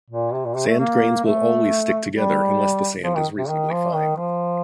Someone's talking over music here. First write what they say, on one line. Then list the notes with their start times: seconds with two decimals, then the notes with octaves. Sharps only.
Sand grains will always stick together unless the sand is reasonably fine.
0.10 A#2
0.33 C3
0.45 A#2
0.55 C3
0.67 A3
0.79 A#3
1.23 A3
2.13 G3
3.03 F3
3.16 D#3
3.38 C3
3.49 D#3
3.72 F3
3.94 D#3
4.16 F3